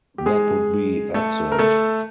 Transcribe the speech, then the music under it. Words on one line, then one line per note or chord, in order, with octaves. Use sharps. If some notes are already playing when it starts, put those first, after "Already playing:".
That would be absurd.
G4
G#3 G#4
A3 A4
A#4
A3 A4